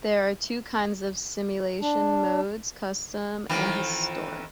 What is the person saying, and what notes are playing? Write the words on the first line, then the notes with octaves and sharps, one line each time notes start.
There are two kinds of Simulation modes, Custom and Historic.
D4
F2 D#3 E3